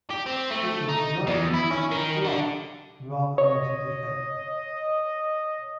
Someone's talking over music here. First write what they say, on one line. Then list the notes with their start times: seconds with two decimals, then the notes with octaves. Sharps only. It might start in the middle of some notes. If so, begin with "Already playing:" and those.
It was designed to "bluff" rather than to defend.
0.10 G4
0.26 C4
0.51 A3
0.89 D#4
1.27 E2
1.54 E4
1.71 C#4
1.91 D#3
2.24 D3
3.38 C#5 D#5